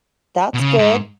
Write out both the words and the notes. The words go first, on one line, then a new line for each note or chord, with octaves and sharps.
That's good.
B2
C#3
G#2